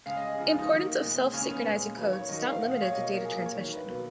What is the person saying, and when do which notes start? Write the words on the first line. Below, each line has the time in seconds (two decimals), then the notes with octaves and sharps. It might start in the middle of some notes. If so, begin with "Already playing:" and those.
Importance of self-synchronizing codes is not limited to data transmission.
0.06 C#3 G#3 F5
0.17 D#5
0.27 G#4
0.38 C#3 F3 G#3
0.48 F4
0.59 D#4
0.70 D#3 F#3 A#3
1.02 A#2 G#3
1.33 C#3 G#3 C#4
1.44 C#4
1.55 B3
1.65 A#2 G#3 C#4
1.97 D#3 F#3 A#3 B4
2.13 C#5
2.29 D#3 F#3 A#3 D#5
2.45 F5
2.61 A#2 G#3 F#5
2.71 F5
2.82 C#5
2.93 B2 A#3 D#5
3.04 C#5
3.15 A#4
3.25 A#2 F#3 A#3 G#4
3.35 A#4
3.46 C#5
3.56 D#3 F#3 A#3
3.72 B4
3.88 B2 F#3 A#3 B4